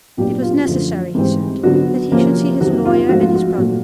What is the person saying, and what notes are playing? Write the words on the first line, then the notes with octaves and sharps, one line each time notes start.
It was necessary, he said, that he should see his lawyer and his brother.
A#2 F#3 B3 D4 F4 G4
F4
F#2 D3 F3 A3
G#2 E3 G3 C4
D3 F#3 B3 D4 F#4
C3 F3 A#3 C#4
F2 C3 D#3 F#3 F#4
F4
G#2 F3 A3 F#4
F4
F#4
A#2 F#3 A3